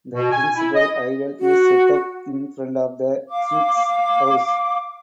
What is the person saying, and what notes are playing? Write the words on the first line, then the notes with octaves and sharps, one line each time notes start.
The principal idol is set up in front of the chief's house.
B2
G#5
E4
D#5
F#4
F5 D6